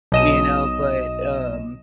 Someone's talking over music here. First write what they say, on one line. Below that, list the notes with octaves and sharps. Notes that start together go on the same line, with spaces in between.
You know, but, um
B1 D#5 E7